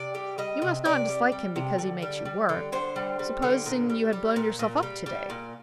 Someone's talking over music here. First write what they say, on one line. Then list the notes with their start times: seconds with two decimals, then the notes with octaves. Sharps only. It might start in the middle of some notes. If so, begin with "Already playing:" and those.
You must not dislike him because he makes you work. Supposing you had blown yourself up to-day!
Already playing: C3 D5
0.15 G3
0.38 G3 D#5
0.62 C3
0.85 C3 D5
1.09 G3
1.32 G3
1.56 C3
1.78 D3
2.02 G3
2.25 G3
2.49 D3
2.72 D3 C5
2.96 G3
3.19 G3
3.42 D3
3.66 A#2
3.90 G3
4.13 G3
4.36 A#2
4.59 A#2
4.83 G3
5.06 G3
5.30 A#2